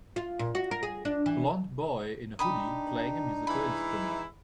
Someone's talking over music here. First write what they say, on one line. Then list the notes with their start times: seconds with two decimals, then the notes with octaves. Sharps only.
Blond boy in a hoodie playing a musical instrument.
0.16 F4
0.39 A#2
0.55 F#4
0.71 A#4
0.83 G#4
1.05 D4
1.26 E3
2.39 D4 D#4 G4 B5 D#6
3.47 E3 G#3 E4 B5